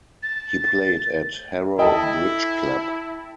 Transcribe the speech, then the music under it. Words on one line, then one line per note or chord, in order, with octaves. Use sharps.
He played at Harrow Bridge Club.
A6
E4 A4 D#5 G5